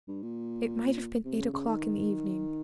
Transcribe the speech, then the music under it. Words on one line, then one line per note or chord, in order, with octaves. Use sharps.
It might have been eight o'clock in the evening.
G2
A#2
C3
C#3
C#3
D#3